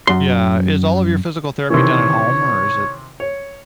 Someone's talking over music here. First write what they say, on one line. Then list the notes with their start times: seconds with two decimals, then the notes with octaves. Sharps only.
Yeah. Is all of your physical therapy done at home or is it
0.07 F#2 C6
1.70 C3 D#3 E3 C#5
3.20 C#5